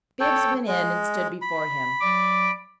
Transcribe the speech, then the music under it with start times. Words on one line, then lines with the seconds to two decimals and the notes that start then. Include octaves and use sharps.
Bibbs went in and stood before him.
0.20 A4 C#5 G5
0.67 G#3
1.42 B5
2.01 F#3 D5 D6